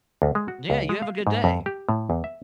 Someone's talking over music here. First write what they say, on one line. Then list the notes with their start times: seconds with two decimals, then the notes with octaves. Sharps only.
Yeah, you have a good day.
0.22 D2
0.35 G#3
0.48 F#4
0.70 C#2
0.89 G#3
1.02 F5
1.27 G#2
1.44 F2
1.66 G4
1.89 A2
2.10 E2
2.24 E5